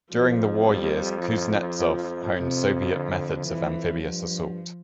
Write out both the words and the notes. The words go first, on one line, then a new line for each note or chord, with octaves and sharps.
During the war years Kuznetsov honed Soviet methods of amphibious assault.
F2 F3
G3
F3
F2 C3
D3
F2 E3
G2 F3